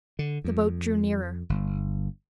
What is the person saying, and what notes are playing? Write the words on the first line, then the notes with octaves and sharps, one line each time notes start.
The boat drew nearer.
D3
F2
G1